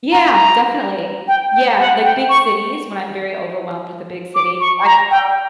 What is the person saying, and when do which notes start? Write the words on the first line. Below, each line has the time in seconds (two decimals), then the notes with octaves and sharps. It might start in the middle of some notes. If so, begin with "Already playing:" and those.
Yeah. Definitely. Yeah. Like, big cities when I'm very overwhelmed with a big city. I love
0.12 A#5
0.32 A#5
1.28 G5
1.54 G5
1.79 F#5
2.04 G5
2.29 C#6
4.35 D6
4.61 C#6
4.86 A#5
5.11 G5